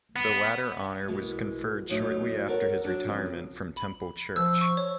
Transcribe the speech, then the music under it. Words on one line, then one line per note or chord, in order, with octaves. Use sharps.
The latter honour was conferred shortly after his retirement from Temple Church.
B3
B2 E3 G#3 A#3
E2 A2 F#3 D#4 E5
A4 A#4 C#5 F5 F#5
F#3 D4
F2 C#3
B5
F3 E6
C#6
C#5